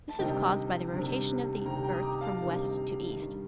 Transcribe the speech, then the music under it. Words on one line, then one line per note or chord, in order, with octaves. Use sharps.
This is caused by the rotation of the earth from west to east.
A5
D2 C3 D#3 G3 D#5 G5
D2 C3 D#3 G3
D2 C3 D#3 G3 G5 A#5
G5 A#5
D#6
A#5 D6
F5 A5
D2 C3 D#3 G3
G2 D#3 G3